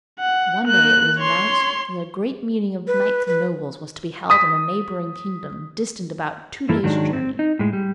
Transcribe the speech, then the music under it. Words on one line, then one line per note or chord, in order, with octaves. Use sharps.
One day it was announced that a great meeting of knights and nobles was to be held in a neighbouring kingdom distant about two days' journey.
F#5
A#3 F#6
C#5 C6
B4
B4
D#6 B6
G2 E3 A#3 E4 A4 A#4
G#2 D#3 F#3 G#3 D4
C4
D#4
A2 G#3
G3